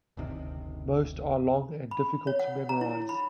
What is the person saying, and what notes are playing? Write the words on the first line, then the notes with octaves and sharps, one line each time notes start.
Most are long and difficult to memorise.
F#1 D2 C3 D#3
B5
C#5
F#5
A#5
E4
B5